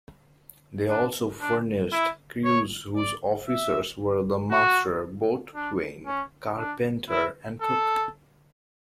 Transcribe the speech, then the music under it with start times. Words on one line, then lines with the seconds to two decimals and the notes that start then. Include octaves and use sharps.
They also furnished crews whose officers were the Master, Boatswain, Carpenter and Cook.
0.89 D4
1.40 D4
1.92 E4
2.44 C#5
2.96 D5
3.47 E5
4.51 F#4
5.54 D4
6.06 C#4
6.57 D4
7.10 E4
7.61 A4